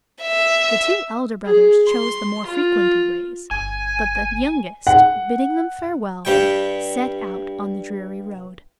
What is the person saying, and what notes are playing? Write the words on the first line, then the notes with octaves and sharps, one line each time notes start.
The two elder brothers chose the more frequented ways, but the youngest, bidding them farewell, set out on the dreary road.
E5
G#4
C6
F4
G1 G#5 G#6
F#5
G2 G3 G5